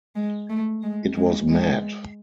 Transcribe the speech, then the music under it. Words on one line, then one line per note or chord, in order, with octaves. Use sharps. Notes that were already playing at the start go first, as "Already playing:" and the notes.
It was mad.
G#3
A3
G#3
G#3
G#3